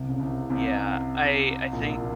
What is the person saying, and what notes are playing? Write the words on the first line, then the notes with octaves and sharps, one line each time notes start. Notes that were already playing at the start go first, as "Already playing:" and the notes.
Yeah, I I think
Already playing: C2 C3
C#3
C2 C3
C2 C3
A#1 A#2
A#2